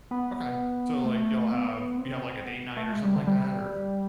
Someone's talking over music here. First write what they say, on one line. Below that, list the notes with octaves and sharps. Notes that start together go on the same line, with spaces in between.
Okay, so like you'll have you have like a date night or something like that, or?
B3
A3
B3
C4
B3
A3
G#3
G3
D3
G3